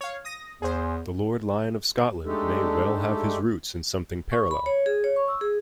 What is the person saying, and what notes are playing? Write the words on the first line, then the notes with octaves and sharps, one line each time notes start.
The Lord Lyon of Scotland may well have his roots in something parallel.
C#5 F5
D#6 A#6
E2 G#4 C5
G#3 A3 D4 D#4 G4 A4
C#6
B5
C#5
G#4
C#5
C#6
E6
G#4